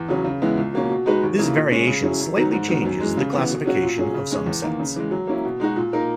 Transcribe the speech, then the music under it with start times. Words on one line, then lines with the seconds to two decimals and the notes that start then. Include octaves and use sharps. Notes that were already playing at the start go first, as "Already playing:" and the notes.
This variation slightly changes the classification of some sets.
Already playing: E2
0.09 C#3 F#3 C#4
0.24 C#3
0.42 E3 G#3 B3 E4
0.57 C#2
0.74 B2 A#3 C#4
0.89 B2
1.06 G#3 D#4 F#4 B4
1.23 D#2
1.38 C#3 E3 A#3 E4
1.55 A#2
1.71 G#3 C#4 G#4
1.87 C#3
2.03 F#3 C#4 E4 G#4
2.20 F#2
2.36 D#3 F#3 B3 D#4
2.53 G#2
2.68 D#3 F#3 B3
2.85 F#2
3.00 E3 G#3
3.17 C#3
3.33 E3 B3
3.50 B2
3.66 F#3 C#4 F#4
3.82 A#2
3.98 F#3 C#4 G#4
4.14 C#3
4.31 G#3 C#4
4.46 E2
4.62 D#3 A#3
4.80 C#3
4.96 E3 G#3
5.11 F#3
5.27 A#3 C#4 E4
5.45 B2
5.60 G#3 D#4 F#4
5.76 A#2
5.93 A#3 D#4 A#4